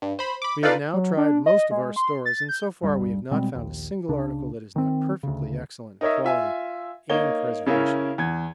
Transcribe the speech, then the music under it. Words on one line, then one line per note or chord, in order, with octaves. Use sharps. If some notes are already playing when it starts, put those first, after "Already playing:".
'We have now tried most of our stores, and so far we have not found a single article that is not perfectly excellent in quality and preservation.
G2
C5 B5
B5 D6
D#4 F4 A4 B4 D5 F5
F#3
D4
D#5
G#3
C6
A6
G6
D1 G2 G3
B2 G3 G#3 C4
A#1 D#2
C#2 C#3 D4
D#3 C4
D2 C#3
D#4 A#4 C#5 D#5 E5
F4 E5 G#5
A#3 D#4 C#5 G7
C#3 C#4 E4 A#4 F5
E2 G#6